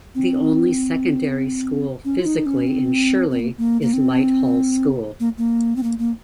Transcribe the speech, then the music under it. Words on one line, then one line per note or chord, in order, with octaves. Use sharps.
The only secondary school physically in Shirley is Light Hall School.
C4
C#4
F4
D#4
C#4
C4
C4
A#3
A#3
A#3
C4
A#3
A#3
C4
A#3
A#3